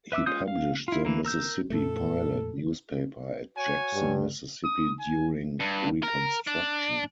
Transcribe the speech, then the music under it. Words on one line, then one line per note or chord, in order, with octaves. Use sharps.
He published the "Mississippi Pilot" newspaper at Jackson, Mississippi during Reconstruction.
B4 E5 D6 E6
G#3 C#4 F4 D#6 G6
F5
E4 F4
E3 A#3
A#4 E6 G6
F2 A#2 A3 A4
F#4 C#5 G#5
G2
D#6
G#5
G2
A#4
D4